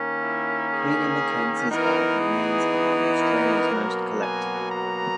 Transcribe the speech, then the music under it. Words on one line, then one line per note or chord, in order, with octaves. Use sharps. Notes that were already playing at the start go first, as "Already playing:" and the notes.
Queenie McKenzie's art remains among Australia's most collectible.
Already playing: D#3 A#3 C#4
E4
G#4
E3 B3 D#4 A#4
G#4
A#4
B2 F#3 A#3
G#5
A#5